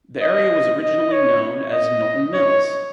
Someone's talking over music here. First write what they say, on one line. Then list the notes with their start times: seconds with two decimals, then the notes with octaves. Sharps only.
The area was originally known as Norton Mills.
0.21 D#5
0.82 D#5
1.12 C#5
1.73 D#5
2.34 C#5